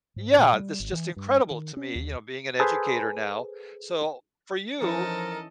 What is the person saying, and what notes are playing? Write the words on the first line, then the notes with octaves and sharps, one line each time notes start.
Yeah, that's just incredible to me, you know, being an educator now. So for you,
G#2
A#2
G3
G#1
E3
G2
D#3
C#4
D#2
G#4 A4 B4 C5
E3 F3 C#4 D#4 A4 A#4 D#5